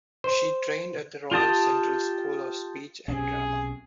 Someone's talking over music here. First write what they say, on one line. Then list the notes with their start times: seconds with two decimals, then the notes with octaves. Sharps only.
She trained at the Royal Central School of Speech and Drama.
0.24 C5
1.31 F4 G4 A5 D#6
3.08 B1 C3 C#4 G#4